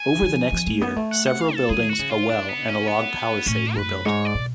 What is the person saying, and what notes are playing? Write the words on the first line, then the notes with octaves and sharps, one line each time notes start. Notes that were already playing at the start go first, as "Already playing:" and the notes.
Over the next year, several buildings, a well, and a log palisade were built.
Already playing: G#5
F3
F3
A3
B3
A3
F#5
F#5
F5
A4
G#3 G#4
D3 F#4
C#3
F4
D4
B3
C#4
B3
A2 C#4
F#2 B4
G#2 C#5
D5
B2